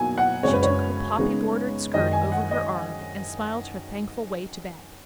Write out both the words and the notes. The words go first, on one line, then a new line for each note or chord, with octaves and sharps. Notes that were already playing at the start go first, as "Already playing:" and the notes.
She took her poppy-bordered skirt over her arm, and smiled her thankful way to bed.
Already playing: B2 F#3 A#3 D#4 G#5
F#5
F#2 C#3 G#3 C#5
B4
C#5
C#3 G#3 B3 D#4
F#2 D#3 G#3 D#4 D#5
G#5
F#5
D#5